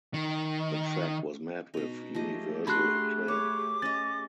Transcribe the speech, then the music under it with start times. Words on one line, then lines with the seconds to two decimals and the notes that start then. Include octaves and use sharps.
The track was met with universal acclaim.
0.14 D#3
1.74 B2 D#4
2.15 F3 A3 G4 G#4 D#5
2.67 D4 F#4 B5 C6 F#6
3.28 C#5 D6
3.82 C#4 D#5 A6